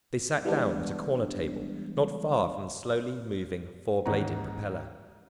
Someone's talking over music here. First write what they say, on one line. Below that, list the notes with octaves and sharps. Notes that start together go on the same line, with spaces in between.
They sat down at a corner table not far from the slowly moving four-bladed propeller.
E3 G3 G#3 B3 D4
D#2 G#2 E3 C#4 F#5 A#5